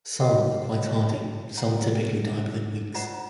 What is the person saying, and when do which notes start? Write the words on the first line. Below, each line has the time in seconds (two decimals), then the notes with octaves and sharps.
Some are quite hardy, some typically die within weeks.
0.20 F#4 A#4 C#5 D#5 F#5
1.57 F#5 A#5
2.94 F4 C5 F#5 A#5